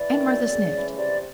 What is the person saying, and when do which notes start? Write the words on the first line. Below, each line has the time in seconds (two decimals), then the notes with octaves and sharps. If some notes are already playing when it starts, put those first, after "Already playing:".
Aunt Martha sniffed.
Already playing: E3 D5
0.08 D#3
0.29 F#2
0.52 C#3
0.75 E3
0.98 C3 D5